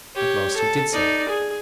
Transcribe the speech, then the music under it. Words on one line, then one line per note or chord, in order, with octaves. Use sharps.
At last he did so.
G4 C#5
A4
D#4 D5
G#4